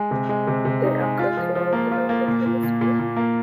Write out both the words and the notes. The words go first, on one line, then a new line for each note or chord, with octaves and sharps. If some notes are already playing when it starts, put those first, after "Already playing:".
They occur throughout the Northern Hemisphere.
Already playing: G#3
C3
G#3
C3
C3
D#4
G#3
F4
F3
F3
A#3
F4
A#3
A#2
A#2
A#2
A#2
A#2
A#3